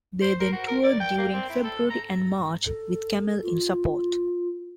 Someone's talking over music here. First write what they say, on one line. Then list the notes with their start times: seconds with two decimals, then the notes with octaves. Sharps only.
They then toured during February and March with Camel in support.
0.22 C5
0.40 A#4
0.52 F#4
0.68 A#4
0.83 D5
1.00 G5
1.18 A#3
1.33 C4
1.49 E4
1.63 A4
1.90 A#5
2.66 A4
3.43 F4